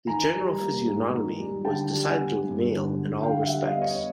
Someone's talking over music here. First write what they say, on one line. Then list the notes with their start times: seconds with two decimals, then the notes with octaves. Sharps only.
The general physiognomy was decidedly male in all respects.
0.07 D#3 G#5 A#5
0.34 G3
0.60 A#3
0.86 G#2
1.13 D#3
1.39 G3
1.65 D3 G5 A5
1.91 G3
2.04 F#5 G#5
2.17 B3
2.44 G2
2.70 D3
2.96 G3
3.22 D3 F5 G5
3.42 E5 F#5
3.48 G3
3.62 D#5 F5
3.76 B3
3.81 C#5 D#5